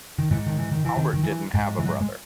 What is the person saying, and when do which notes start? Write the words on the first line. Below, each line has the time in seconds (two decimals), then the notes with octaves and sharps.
Albert didn't have a brother.
0.19 D#3
0.31 G#2 E3
0.46 D#3
0.58 E3
0.72 D#3
0.85 E3
0.97 D#3
1.14 D#3
1.23 E3
1.54 G#2
1.79 E3
1.85 F#3
2.01 G#3